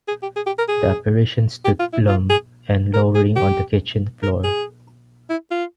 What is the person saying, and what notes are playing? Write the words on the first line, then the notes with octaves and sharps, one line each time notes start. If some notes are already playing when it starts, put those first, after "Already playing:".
The apparition stood glum and lowering on the kitchen floor.
G#4
G4
G#4
G4
A#4
G#4
G4
F4
E4
F4
G#4
A#4
G#4
G4
A#4
G#4
E4
F4